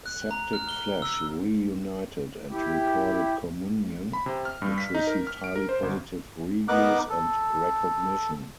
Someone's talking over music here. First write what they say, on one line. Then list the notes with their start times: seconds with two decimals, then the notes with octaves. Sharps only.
Septic Flesh reunited and recorded Communion, which received highly positive reviews and recognition.
0.06 F#6
0.31 A#5
0.53 F6
0.69 G7
1.02 E6
2.50 E4 G4
4.13 B5
4.26 C3
4.45 F6
4.62 G2
4.78 B6
4.95 D#4
5.07 A#4
5.27 F6
5.44 D7
5.56 A#4
5.69 C5
5.83 G1
6.68 B3 D#4 A#4 D6 F#6
7.10 A4